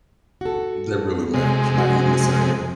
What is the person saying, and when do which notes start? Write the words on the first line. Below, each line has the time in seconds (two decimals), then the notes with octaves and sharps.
That really matters, you're not eating the same.
0.41 F#4 A4
1.34 C3 G#3
1.76 F3 F#4